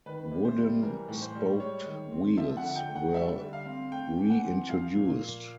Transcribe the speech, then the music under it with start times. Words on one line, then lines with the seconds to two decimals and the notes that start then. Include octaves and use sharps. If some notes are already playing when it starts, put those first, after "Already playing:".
Wooden spoked wheels were re-introduced.
0.06 D#3 B4
0.31 C3
0.45 C5
0.58 G3
0.83 E3 A#4
1.08 A2
1.22 C5
1.35 G3
1.60 G#3 C#5
1.86 D#3
2.11 C4
2.37 F3 E5
2.57 F#5
2.63 D3
2.76 G5
2.88 A3
2.96 F#5
3.14 G3 E5
3.40 D3
3.53 F5
3.65 C4
3.92 A3 G5
4.18 E3
4.30 F#5
4.43 C4
4.69 F3 F5
4.95 A#2
5.20 A#3